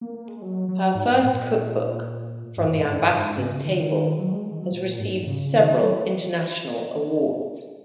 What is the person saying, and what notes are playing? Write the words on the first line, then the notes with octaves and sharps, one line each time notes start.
Her first cookbook, "From the Ambassador's Table", has received several international awards.
A#3
A#3
G#3
F#3
F#3
G#2
A#2
G#2
G#2
G#2
G#2
G#2
C#3
D#3
F#3
G#3
G#3
D#3
F#3
A#2
G#2
C#3
D#3
F#3